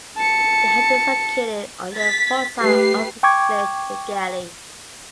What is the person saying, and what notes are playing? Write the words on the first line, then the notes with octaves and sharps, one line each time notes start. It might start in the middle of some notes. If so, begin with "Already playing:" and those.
The head is located on the port side opposite the galley.
A5 C#7
A6 B6
A3 G4 B4 C7
G5 C#6 D6 G#6